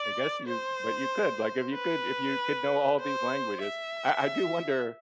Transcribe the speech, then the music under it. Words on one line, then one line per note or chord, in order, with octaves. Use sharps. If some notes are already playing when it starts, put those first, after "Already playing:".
I guess you but you could, like, if you could if you could know all these languages, I I do wonder
Already playing: D5
C5
B4
C5
E5